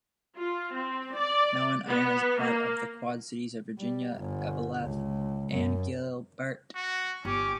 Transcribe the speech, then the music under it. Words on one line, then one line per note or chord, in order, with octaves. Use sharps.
Mountain Iron is part of the Quad Cities of Virginia, Eveleth, and Gilbert.
F4
C4
D5
B3
A#3
G3
G1
C#2
F#2
F#4
G1 C#4 G4 D6